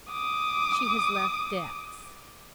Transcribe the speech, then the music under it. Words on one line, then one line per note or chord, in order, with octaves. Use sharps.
She has left debts.
D6 D#6